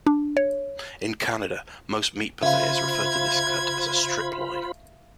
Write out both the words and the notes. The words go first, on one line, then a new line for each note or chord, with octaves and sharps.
In Canada, most meat purveyors refer to this cut as a strip loin.
D4
C#5
C#3 F4 C5 E5 F5 B5 G#6